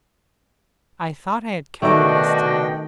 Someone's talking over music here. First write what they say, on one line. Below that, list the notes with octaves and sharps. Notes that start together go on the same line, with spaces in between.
I thought I had killed her, this time.
B2 D#3 A3 D4 F#4 D#5 G5